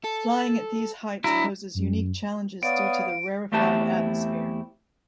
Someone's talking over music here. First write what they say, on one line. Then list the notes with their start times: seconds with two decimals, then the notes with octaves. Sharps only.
Flying at these heights poses unique challenges due to the rarefied atmosphere.
0.04 A4
1.24 F#3 D4 E4 A#5
1.74 F#2
2.63 B3 C#5 D5 F5 D#6 D7
3.52 E2 A3 C4 E4 G4 A5